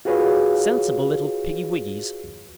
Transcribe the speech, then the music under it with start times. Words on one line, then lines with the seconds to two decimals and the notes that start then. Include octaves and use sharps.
Sensible little piggywiggys.
0.05 F4 F#4 G#4 B4 C#5 F5